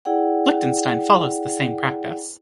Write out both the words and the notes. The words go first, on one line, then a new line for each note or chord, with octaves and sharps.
Liechtenstein follows the same practice.
E4 G#4 D5 F#5 G5